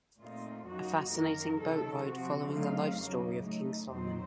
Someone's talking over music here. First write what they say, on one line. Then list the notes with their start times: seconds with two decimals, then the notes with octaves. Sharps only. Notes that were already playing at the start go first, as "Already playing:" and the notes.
A fascinating boat ride following the life story of King Solomon.
0.20 A#2 A3 C4 D#4 F4
0.66 F#2 F3 A#3 D#4 F#4
1.13 F#2 D#3 A#3 A#4
1.58 C3 D#3 F#3 A4
2.05 C3 F3 C4 F#4
2.51 C#3 F#3 A3 C4 D#4 F5
2.97 F2 C#3 F#3 A#3 D#4
3.43 A2 A3 D#4
3.90 F2 D#3 F#3 C4 D#4 C5